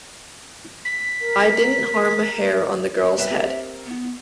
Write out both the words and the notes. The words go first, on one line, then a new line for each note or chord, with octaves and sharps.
I didn't harm a hair on the girl's head.
B6
A#4
C2 B4 E5 E7
C4 G4 A#4
B3